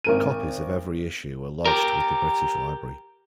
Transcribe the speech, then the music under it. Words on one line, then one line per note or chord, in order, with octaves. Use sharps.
Copies of every issue are lodged with the British Library.
G#1 A#4 D#7
G4 A#4